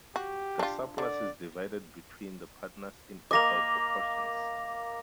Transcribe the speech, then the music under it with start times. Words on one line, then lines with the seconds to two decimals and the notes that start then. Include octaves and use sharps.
The surplus is divided between the partners in "equal proportions".
0.16 F#4 G4
0.59 D4 F4
0.98 D3 D5
3.31 A#3 D#5 D6 A#6 F7